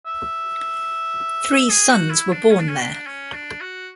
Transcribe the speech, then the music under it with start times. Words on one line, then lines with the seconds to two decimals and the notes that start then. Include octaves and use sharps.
Three sons were born there.
0.06 E5
1.70 G#4
1.90 F#4
2.10 E4
2.32 D4
2.52 C#4
2.60 D4
2.69 C#4
2.79 D4
3.07 C#4
3.34 D4
3.61 F#4